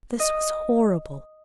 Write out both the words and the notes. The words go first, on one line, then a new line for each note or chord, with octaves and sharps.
This was horrible.
D#5